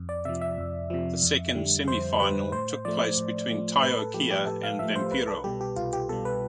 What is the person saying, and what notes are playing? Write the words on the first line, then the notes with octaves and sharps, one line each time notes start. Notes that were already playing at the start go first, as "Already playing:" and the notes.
The second semifinal took place between Taiyo Kea and Vampiro.
Already playing: F2
D5
C3 F3 E5
E5
F2
C3 F3
F2
D3 G3
F2 C5
D3 G3 B4
A2 C5
F3 A3 D5
A2
F3 A3
A2 B4
A4
F3 A3 G4
G4
A2 A4
F5
F3 A3 E5
C5
C5
C2 B4
A4
B2 G3 G4
G4
C2 F4
G4
B2 G3 A4
B4